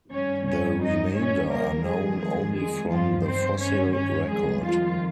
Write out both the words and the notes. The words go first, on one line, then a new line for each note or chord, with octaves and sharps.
The remainder are known only from the fossil record.
G2 D#3 G3 C#4 C#5
C#4 C#5
D#4 D#5
C#4 C#5
F2 D#3 G3 A#3 A#4
G#3 G#4
G#3 G#4
G#3 G#4
G2 D#3 F3 G3 F4
C4 C5
C#4 C#5
C#4 C#5
F2 D#3 G3 G#3 G#4
F3 F4